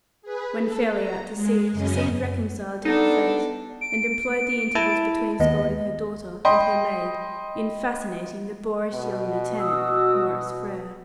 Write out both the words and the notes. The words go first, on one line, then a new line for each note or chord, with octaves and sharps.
When fairly out to sea she seemed reconciled to her fate, and employed the intervals between scolding her daughter and her maid, in fascinating the boorish young Lieutenant, Maurice Frere.
G#4 B4
A4
A#5
G#3
F#2 C#3 C#4 D#5 G#5
B3 D4 D#4 A4
D7
E4 A5
D#2 B3 D#5
D#5 G5 B5 C6
B2
F#4 D#6 E6